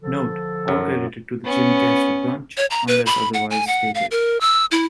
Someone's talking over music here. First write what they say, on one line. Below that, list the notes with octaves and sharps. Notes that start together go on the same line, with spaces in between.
Note: All credited to The Jimmy Castor Bunch unless otherwise stated.
D3 F3 A4
F#2 F#3
B3 C#4
C#5
A#5
B4
B5
F#5
G#5
F#5
F5
A#4
E6
E4